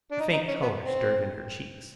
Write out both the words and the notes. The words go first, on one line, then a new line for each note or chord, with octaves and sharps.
A faint colour stirred in her cheeks.
D4
D#4
D#4
C#4
B3
C4